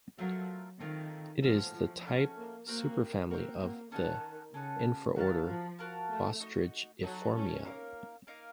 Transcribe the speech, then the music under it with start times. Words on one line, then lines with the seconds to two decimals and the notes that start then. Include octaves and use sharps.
It is the type superfamily of the infraorder Bostrichiformia.
0.18 F#3 A3 C4 F4 A#4
0.80 D#3 A3 C4 F4 A#4
1.42 F3 A3 C#4 F#4
1.74 F3
2.05 A3 C#4 F#4
2.36 A#3
2.67 A#3 C4 F#4 A#4
3.30 A#3 C4 F#4 A#4
3.61 A#3
3.92 D#3 C#4 A4 D#5 F#5
4.53 C#3 C#4 A4 D#5 F#5
5.16 D#3 F#4 A#4 F5 A5
5.47 F3
5.79 F#4 A#4 F5 A5
6.09 A3
6.40 D#4 F#4 A4 D#5
7.02 F#3 D#4 F#4 A4 D#5
7.34 C#4
7.65 A#3 D#4 A#4 F5
8.27 A#3 D#4 A#4 F5